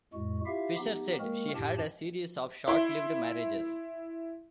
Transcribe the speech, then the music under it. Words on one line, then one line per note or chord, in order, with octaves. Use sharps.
Fisher said she had a series of short-lived marriages.
F2 A2 G#3 F#4
E4 F4 G4 E5 F5
B3 D#4 G4
G#3 A#3 C4 F#4 A#4
F#2 A2 G4 A5
E4 C6